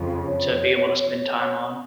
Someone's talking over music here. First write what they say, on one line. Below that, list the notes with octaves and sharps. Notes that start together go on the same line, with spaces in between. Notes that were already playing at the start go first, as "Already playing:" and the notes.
to be able to spend time on.
Already playing: F2 C#3 F3
C#5